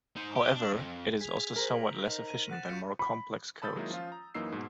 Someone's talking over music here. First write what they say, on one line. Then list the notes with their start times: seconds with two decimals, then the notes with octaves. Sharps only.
However, it is also somewhat less efficient than more complex codes.
0.16 D#4 C5
0.35 G4
0.55 D4
0.73 F2
1.21 G#4 B6 F7
1.56 A#4 C5 A#6 B6 F#7
2.07 D#4
2.28 D#7
2.51 F#5 F#6 A6 E7
2.69 F4 G6 B6 C#7
2.99 B5
3.62 A5 B5 D#6 E6 G6 A6
3.75 D#3 F#3 G#3 A#3 D#4 E4
3.90 F3 C#4 F4
4.12 A#5
4.34 F#2 E3 A#3 D#4 E6 C7
4.52 G#2 B2